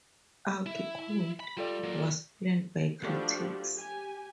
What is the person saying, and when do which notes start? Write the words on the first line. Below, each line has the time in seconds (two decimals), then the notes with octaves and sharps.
"Out Cold" was panned by critics.
0.66 E4
1.40 B5
1.57 G3 F4 A4 D5
1.84 F#3 A#3
3.02 F3 G3 A3 D4 F#4 G4
3.74 G4 G#5